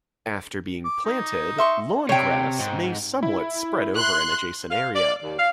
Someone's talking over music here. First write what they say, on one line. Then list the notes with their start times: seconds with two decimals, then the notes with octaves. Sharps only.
After being planted, lawn grass may somewhat spread over an adjacent area.
0.85 D6
1.05 D#4
1.58 E5 C6 C#6
2.09 C3 C#5 G5
2.59 G#2
3.23 E4
3.94 C6 F#6
4.71 F5
4.95 D5
5.23 D#2
5.38 F5